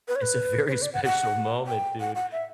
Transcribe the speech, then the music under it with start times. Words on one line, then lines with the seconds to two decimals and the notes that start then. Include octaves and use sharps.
It's a very special moment, dude.
0.08 B4
0.16 C#5
0.22 B4
0.68 C#5
0.73 B4
0.82 D5
0.93 F#5
1.04 F#5
1.67 G5
2.00 F#5
2.15 F#5
2.32 E5